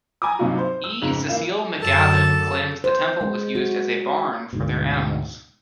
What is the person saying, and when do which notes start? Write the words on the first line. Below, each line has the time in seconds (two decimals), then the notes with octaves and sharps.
E. Cecil McGavin claims the temple was used as a barn for their animals.
0.22 G#5 A#5 B5 D6 D#6
0.39 G2 C3 F#3 D#4 F4 F#4
0.58 C5
0.84 E6
1.01 F2 G#2 C#3
1.27 E3 A#3 E4 F5 E7
1.80 F#2 D3 A4 A5
2.84 C5
3.21 G#3
3.55 F#4
4.53 D2 G#2 B2